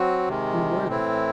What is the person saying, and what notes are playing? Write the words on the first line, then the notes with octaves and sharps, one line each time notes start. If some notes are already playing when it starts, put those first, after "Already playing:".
Who were they?
Already playing: F#3 C4 F#4
C3 D#3 G#3
A2 E3 C4 E4